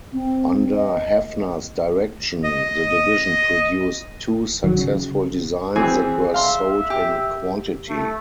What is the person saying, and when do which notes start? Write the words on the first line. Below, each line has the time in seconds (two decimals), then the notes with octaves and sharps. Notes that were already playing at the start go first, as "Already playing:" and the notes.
Under Hafner's direction, the division produced two successful designs that were sold in quantity.
0.13 C4
0.74 D#5
2.44 D#5
4.64 D#3 F#3
4.77 C#3
5.76 E3 C4 G#4
6.34 E5 F5 C6
6.90 G4
7.89 A3